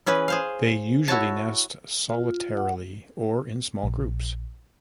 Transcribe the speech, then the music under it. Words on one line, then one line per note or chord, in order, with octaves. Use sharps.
They usually nest solitarily or in small groups.
E3 C#4 G#4 B4
G#4 C5 F5
E4 F#4 C#5 A5
F4
F#5
A#1